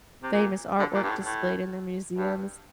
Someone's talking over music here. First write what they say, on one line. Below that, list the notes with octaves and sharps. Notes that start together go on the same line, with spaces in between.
famous artwork displayed in the museums.
C3
A#2
D3
A#2
G2
A2
A2
G2